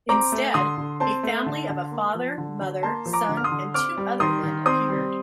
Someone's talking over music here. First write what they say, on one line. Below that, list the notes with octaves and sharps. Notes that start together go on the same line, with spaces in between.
Instead, a family of a father, mother, son and two other men appeared.
C4 A#5 D6
A3
D3 C6 D#6
D3
C4 A5 C6
A3
D3
D3
A#3
F3
D3
D3
A#3 A5 C6
F3
A#5 D6
D3
F6
C6 D#6
D3
C4 D6 F6
G3
D#3 C6 D#6
D#3
C4 C6 D#6
G3